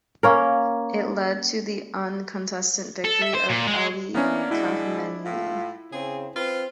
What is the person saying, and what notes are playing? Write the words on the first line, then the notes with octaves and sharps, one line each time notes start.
It led to the uncontested victory of Ali Khamenei.
A#3 C#4 A#4
A4
E5
C5
A#2
G#3
E3 A#3 B3 C#4 D4
B2 G#3 E4
A2 F4
C#3 C4 G#4
C4 F4 B4